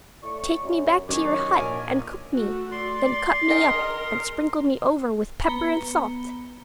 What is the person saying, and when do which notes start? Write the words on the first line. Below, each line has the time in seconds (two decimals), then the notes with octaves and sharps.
'Take me back to your hut and cook me; then cut me up, and sprinkle me over with pepper and salt.
0.22 A2 D5 C#6
0.63 F#2
1.09 D#3 F#3 C#4 C#5 D#5 D6
1.58 A#1 A#4 G#5
2.33 A3 F#4
2.71 D5 C6
3.50 G#4 A#4 D#5 G5
5.48 B3 A#5 B5 C#7 G7